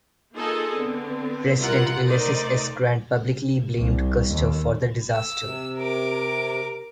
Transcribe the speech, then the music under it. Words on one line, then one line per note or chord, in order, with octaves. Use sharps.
President Ulysses S. Grant publicly blamed Custer for the disaster.
A#3 D#4 F4 G#4 A4 D#5
D3 B3 C4
G3 E4 F4 A#4 F#5
A3 D#4 A#4 C5 D5 D#5
C2
D#2
E6
C3
A#4 D6